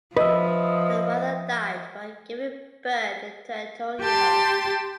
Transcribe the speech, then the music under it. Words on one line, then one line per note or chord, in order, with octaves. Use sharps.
The mother died while giving birth to Antonio.
F3 B4 D#5 E5
G4 G5 A5 C6